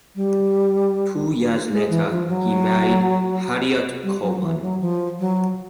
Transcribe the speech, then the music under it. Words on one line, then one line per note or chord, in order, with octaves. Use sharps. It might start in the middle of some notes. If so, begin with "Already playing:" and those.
Two years later he married Harriett Cowan.
G3
G#3
E3
F3
F#3
G3
F#3
E3
F#3
F3
F#3